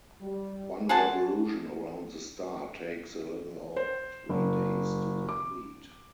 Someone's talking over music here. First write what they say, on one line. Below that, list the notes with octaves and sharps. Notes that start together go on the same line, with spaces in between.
One revolution around the star takes a little over three days to complete.
G3
G#4 C5 F#5 A5
C5
F#1
D6